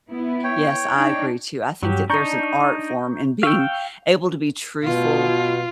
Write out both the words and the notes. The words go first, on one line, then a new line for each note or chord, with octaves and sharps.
Yes, I agree too. I think that there's an art form in being able to be truthful
B3 E4
C#5 G5
D4 D#4
G2 F#3 G4
D4 D#4 A#5 C#6 G6
F5 G5 C#6 E6
B2 F4